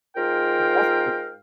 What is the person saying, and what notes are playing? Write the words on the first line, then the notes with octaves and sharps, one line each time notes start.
That's good.
G#2 F4 A#4 F5 G5